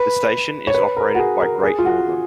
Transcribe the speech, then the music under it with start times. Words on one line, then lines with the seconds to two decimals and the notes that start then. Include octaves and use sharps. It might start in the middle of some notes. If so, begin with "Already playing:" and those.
The station is operated by Great Northern.
Already playing: B4
0.67 C#5
0.74 B4
0.97 A#4
1.15 F#4
1.19 G#4
1.41 A#4
1.63 G#4
1.79 F4
1.85 F#4